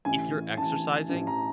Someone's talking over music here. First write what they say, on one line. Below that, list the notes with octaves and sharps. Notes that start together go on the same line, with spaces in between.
if you're exercising,
A1 A2 E3 G#5
A1 A2 E3 A5
A1 A2 E3
A#5